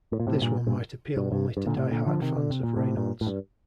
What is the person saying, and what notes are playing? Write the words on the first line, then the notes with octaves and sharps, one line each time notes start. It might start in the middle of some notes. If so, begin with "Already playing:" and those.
This one might appeal only to die hard fans of Reynolds.
A2
A#2
A2 C3
G2 A#2
G2 A#2
G2
G2
G2
A#2 D3
A2 C3
A#2 D3
D3 F3
C3 D#3
D3
C3
A#2
A2 C3
G2 A#2
A2
G2